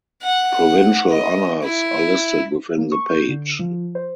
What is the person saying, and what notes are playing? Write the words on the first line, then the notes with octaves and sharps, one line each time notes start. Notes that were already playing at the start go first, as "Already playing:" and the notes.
Provincial honours are listed within the page.
F#5
D#5
E4
A#3
C#6
G6
D3
F3
C5